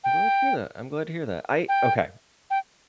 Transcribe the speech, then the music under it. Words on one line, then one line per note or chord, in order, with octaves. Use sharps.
I'm glad to hear that, I'm glad to hear that, I okay,
G5
G5
G5